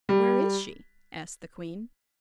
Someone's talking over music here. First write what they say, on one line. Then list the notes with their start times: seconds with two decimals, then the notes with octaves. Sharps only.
"Where is she?" asked the queen.
0.09 G3